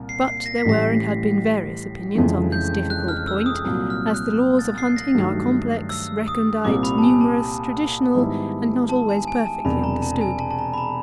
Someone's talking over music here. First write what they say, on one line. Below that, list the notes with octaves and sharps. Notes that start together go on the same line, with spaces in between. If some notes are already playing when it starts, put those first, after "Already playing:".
But there were and had been various opinions on this difficult point, as the laws of hunting are complex, recondite, numerous, traditional, and not always perfectly understood.
Already playing: C2 A#2 A#3
C7
C7
A#6
B6
A1 A2 E3 G3 A#6
F1 F2 C#3 E3 G#3
G6
F#6
F6
E6
D#6
C2 A#2 F#3
F6
F#6
A6
C7
A#6
G2 D#3 F#3 A3
E6
D#6
C2 A#2 G3 C4 D6
B5
A5
G#5
A5
G#2 D#3 G3 B3 E4
A5
G#5
G#5
A5
E1 E2 C3 B5
A#5
A5
G#5
A5
A5
A#5
B5
A#5